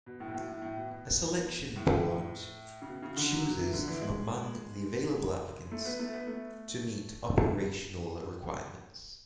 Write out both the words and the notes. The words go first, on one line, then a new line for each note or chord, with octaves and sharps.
A selection board chooses from among the available applicants to meet operational requirements.
B2
A2
B2
A2
A2
A2
B2
B2
B2
A2
C#3
B2
C#3
D3
F#3
F#3
E3
D3
E3
G#3
A3
B3
A3
B3
A3